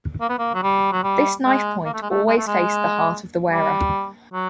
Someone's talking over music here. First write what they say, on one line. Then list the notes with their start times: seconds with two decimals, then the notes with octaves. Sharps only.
This knife point always faced the heart of the wearer.
0.21 A#3
0.29 B3
0.38 A#3
0.55 F#3
0.63 G3
0.92 F#3
1.03 G3
1.45 G#3
1.85 A#3
1.94 A3
2.02 G#3
2.10 A3
2.27 G#3
2.37 A3
2.47 G#3
3.50 G3
4.33 F#3